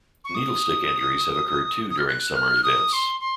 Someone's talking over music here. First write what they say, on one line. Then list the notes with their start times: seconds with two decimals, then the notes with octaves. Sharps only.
Needle stick injuries have occurred too during Summer events.
0.24 C#6
0.35 D#6
1.90 D#6
1.98 F6
2.07 F#6
2.36 F6
2.63 D#6
2.93 C6
3.20 C6